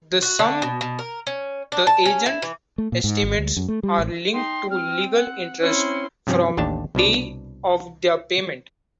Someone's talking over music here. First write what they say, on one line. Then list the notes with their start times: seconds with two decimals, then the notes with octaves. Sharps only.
The sum the agent estimates are linked to legal interests from the day of their payment.
0.22 F#4
0.39 D3
0.62 B2
0.81 B2
0.99 A#4
1.27 C#4
1.72 D4
1.87 A5
2.05 C#4
2.26 E4
2.42 E3
2.78 A3
2.92 A#2
3.04 G#2
3.23 G#1
3.38 D2
3.57 F#2
3.68 A3
3.83 G3
3.99 A1
4.33 D#4 G5 C6
4.71 C4 F6
5.16 F#5
5.62 C4 C#4 E4 C6 C#7
6.27 G2 C3 F3 C4 C#4
6.57 A1 D#2 D4 G4 A5
6.95 C2 B2 D4 D5